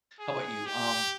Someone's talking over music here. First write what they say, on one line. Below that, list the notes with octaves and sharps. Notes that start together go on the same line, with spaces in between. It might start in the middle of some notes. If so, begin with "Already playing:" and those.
how 'bout you, um,
G#4
G4